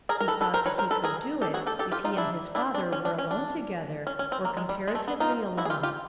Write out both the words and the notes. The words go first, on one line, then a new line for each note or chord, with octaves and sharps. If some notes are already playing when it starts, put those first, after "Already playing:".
He thought that he could do it if he and his father were alone together, or comparatively alone.
G#4 A#4
A#4
A4 B4
A4 B4
A#4 C5
B4 C#5
A#4 C5
A4 B4
G#4 A#4
G4 A4
F#4 G#4
G4 A4
G4 A4
F4 G4
D#4 F4
D4 E4
D4 E4
D4
C#4
D4
C#4
D4
C#4
C#4
C4
A#3
G#3
G3
G#3
A3
B3
D#4 F4
E4 F#4
G#4
F4 G4
F4 G4